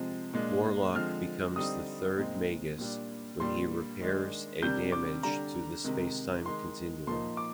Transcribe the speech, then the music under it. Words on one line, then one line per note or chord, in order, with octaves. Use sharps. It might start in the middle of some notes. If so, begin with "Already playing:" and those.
Warlock becomes the third Magus when he repairs a damage to the spacetime continuum.
Already playing: C3 F3 G#3 C4
A#2 G#3 D4
D3 F3 G#3 C4 F6
D3 G3 C4 D#4 D#6
A#2 G#3 C4 D#4
A#2 G3 D4
A#2 G3 D4 C6
D#3 G#3 D4
C3 G3 A#3 D4 G6
D6
D3 G3 D4 A#5
C3 D#3 G#3
D#3 G#3 D#4 C6
A#2 F3 A#3 D#4 C6
D6